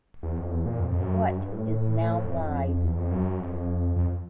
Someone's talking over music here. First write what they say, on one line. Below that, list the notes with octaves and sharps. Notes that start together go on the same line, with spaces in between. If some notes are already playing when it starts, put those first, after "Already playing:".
What is now Live!
E2
F2
E2
A#2
F2
F2
F#2
G2
A2
F2
E2
F2
F#2
F2
F2
F2